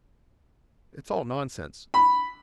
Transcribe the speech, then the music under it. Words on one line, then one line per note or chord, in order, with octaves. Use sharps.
It's all nonsense...
B5